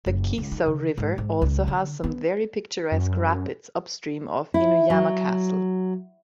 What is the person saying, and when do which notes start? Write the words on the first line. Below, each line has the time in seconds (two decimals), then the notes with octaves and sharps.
The Kiso River also has some very picturesque rapids upstream of Inuyama Castle.
0.06 F#1
0.38 C#2
0.52 D#4
0.66 C#3
0.98 G#2
1.18 G#2
1.42 C#2
1.68 D3
2.04 B3
2.92 F#2
4.54 E4
4.90 F#3